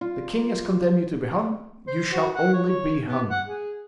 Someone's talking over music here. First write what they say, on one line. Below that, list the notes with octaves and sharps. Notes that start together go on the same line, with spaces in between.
The king has condemned you to be hung: you shall only be hung.
F4
C5
F#4
F#5
C#5
C#5
B3
F#5
G#4